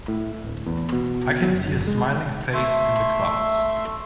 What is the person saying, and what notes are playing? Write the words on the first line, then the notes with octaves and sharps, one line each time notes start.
I can see a smiling face in the clouds.
A2
D1
E2
B2
F#3
F#1
G#3
A3 E5 C6